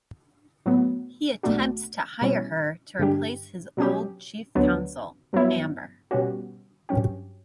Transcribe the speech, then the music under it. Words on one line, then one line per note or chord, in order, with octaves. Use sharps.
He attempts to hire her to replace his old Chief Counsel, Amber.
A2 F#3 B3
B1 B2 A3 D4 F#4
B2 G3 C#4 E4
G2 D3 G3 D4 G4
B2 F#3 C#4 G4
D2 D3 F#3 B3 D4
G2 F#3 B3 E4
B2 G3 C#4 F#4
G2 F#3 C#4 G4